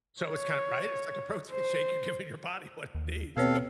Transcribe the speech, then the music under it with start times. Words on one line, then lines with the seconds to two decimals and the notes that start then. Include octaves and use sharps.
So it's kinda, right, it's, like, a protein shake, you're giving your body what it needs
0.22 C#5
1.51 C5
2.95 D#2
3.37 D#2 B2 B3 C4 A4 B4 C#5 F5